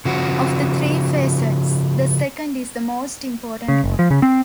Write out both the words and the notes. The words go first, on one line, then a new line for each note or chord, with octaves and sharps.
Of the three facets, the second is the most important one.
C#3 F3 F#4
C#3
F#1
F3
C#3
C4